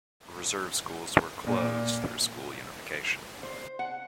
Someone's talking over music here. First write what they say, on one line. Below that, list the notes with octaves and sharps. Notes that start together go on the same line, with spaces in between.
Reserve schools were closed through school unification.
A#2
C5
F#5